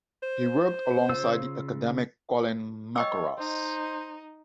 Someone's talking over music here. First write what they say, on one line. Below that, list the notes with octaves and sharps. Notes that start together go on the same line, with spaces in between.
He worked alongside the academic Colin Mackerras.
C5
C#3 F4 E6
C#5 D#5 G5 E6
D#4 C5